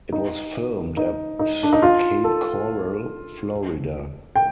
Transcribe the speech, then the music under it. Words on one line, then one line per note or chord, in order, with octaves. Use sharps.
It was filmed at Cape Coral, Florida.
D#4
D#4
D#4
D4
D#4
F4
A4
G5